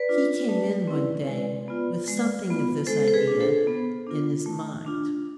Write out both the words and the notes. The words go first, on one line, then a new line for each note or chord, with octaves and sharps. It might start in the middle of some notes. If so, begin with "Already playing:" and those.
He came in one day with something of this idea in his mind.
Already playing: B4 D5
D4 F4
A3
C4 E4
G#3
B3 F4
G#3
B3 F4
G#3 A4 C5
C5
G#4 B4
D4 F4
A4 C5
B3
D4 F4
A3
D4 F4